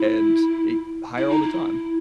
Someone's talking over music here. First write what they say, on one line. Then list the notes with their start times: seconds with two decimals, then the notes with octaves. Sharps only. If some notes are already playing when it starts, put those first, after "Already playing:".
and it higher all the time.
Already playing: E4
1.17 E4
1.29 D#4
1.42 E4